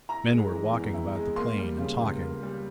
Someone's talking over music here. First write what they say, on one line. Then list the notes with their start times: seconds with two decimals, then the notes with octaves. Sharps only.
Men were walking about the plain and talking.
0.09 E4 A#5
0.30 G#3
0.51 E3
0.73 E2
0.94 E4
1.15 G#3
1.36 A#3 C6
1.58 G3
1.79 C#3
2.01 C#2
2.22 A#3
2.43 G3